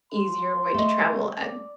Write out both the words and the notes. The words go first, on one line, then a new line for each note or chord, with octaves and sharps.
easier way to travel at
C6
A3 D#5
D5